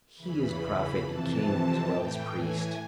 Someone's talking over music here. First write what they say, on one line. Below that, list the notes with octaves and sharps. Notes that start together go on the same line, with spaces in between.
He is Prophet and King as well as Priest.
E2 C#3 E3 B5
B5
F2 C3 E3 A5
A2 E3 G5
G#5